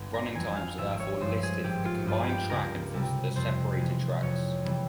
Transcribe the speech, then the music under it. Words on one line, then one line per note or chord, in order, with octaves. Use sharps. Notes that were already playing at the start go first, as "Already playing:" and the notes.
Running times are therefore listed for the combined track and for the separated tracks.
Already playing: G1
A#5
F2 E3 G#5
F5
G#1 E5
C#5
G2 F3 G#3 C5
G#4
G#1 G4
F4
G2 G3 F4
G4
C#2 A#4
C3 G3
F2 C5
E3 G#3
F2 C#5
C3 E3 G3